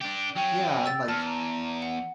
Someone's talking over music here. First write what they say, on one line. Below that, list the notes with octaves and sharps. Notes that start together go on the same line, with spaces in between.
yeah, and, like
D4 G4
F#3 C#4 G5
E6 A6
E2 A5 F6
A#5
F#5